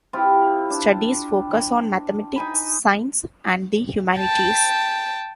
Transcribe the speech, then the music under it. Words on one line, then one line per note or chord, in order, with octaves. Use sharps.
Studies focus on mathematics, science, and the humanities.
C4 E4 F4 G4
D4
D#4 G#5 B5
G5 A5